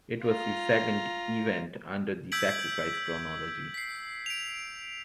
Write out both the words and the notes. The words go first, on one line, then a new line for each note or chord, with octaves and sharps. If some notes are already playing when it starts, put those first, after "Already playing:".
It was the second event under the Sacrifice chronology.
F4 A#5
E6 G6 G#6 B6 D7 F#7
B6 C7
D7 F7